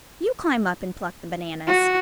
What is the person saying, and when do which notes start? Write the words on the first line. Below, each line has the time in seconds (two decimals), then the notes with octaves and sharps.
You climb up and pluck the bananas.
1.67 F#4